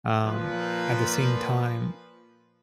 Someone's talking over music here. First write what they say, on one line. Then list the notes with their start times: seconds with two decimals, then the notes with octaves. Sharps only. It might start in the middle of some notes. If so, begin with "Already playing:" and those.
um, at the same time,
0.24 A#2 F3 B4